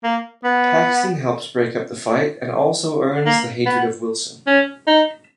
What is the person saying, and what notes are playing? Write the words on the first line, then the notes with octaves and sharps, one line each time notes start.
Paxton helps break up the fight and also earns the hatred of Wilson.
A#3
B3
A#3
B3
C#4
D#4